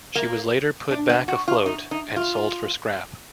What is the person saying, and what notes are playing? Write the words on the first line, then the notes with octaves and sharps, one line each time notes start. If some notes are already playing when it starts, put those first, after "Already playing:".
She was later put back afloat, and sold for scrap.
A#3
D4
B3
F#4
F4
D#4
D#4
F4